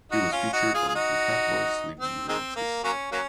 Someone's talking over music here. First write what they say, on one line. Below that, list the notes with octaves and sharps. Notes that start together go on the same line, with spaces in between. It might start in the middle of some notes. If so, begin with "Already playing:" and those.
He was featured on two Fatboy Slim releases.
D#4 F#4
C#4 F4
D#4 F#4
F4 G#4
G#4
D#4 F#4
C4
D#3 G#3 C4
A#3
F#3 A#3 C#4
F#3 A#3 C#4